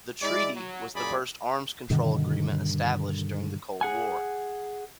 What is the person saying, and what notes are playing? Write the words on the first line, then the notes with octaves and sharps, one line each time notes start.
The treaty was the first arms control agreement established during the Cold War.
G#3 E4 D5
F#3
F#2 A#2 G#4 D5 B5
G2 B2 D3 D#3
G#4 F#5 G#5